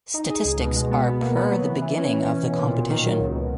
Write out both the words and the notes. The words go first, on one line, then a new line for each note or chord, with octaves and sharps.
Statistics are per the beginning of the competition.
D#4
G#4
C#2
B2
G#3
B3
B2
A#3
B3
F#3
E3
E3
C#4
E3
C#4
B2
A#2
A#2
D#3
F#3
C#2
B2